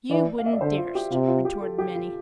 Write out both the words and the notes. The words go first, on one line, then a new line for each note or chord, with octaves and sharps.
"You wouldn't darst," retorted Minnie.
E3 D5
F5
E5
D5
D3 C5
F4
G4
C3 F4
F4
G4
A4
G4
F4